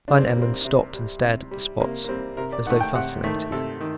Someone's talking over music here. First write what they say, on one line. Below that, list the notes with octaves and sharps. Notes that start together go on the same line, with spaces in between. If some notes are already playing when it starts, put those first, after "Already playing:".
Van Emmon stopped and stared at the spot as though fascinated.
C3 D4
C4
A#3
G3
C4
C3
G3
C3
G3
C3 A#3
A#3
G3 C4
C3 A#4
D5
D#3 A3 F#5
G5
C3 F#5
D#3 A3
C3 A4
D#3